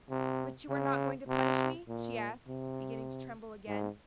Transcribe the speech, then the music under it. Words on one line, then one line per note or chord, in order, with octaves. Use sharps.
"But you are not going to punish me?" she asked, beginning to tremble again.
C3
C#3
C3
A#2
C3
G#2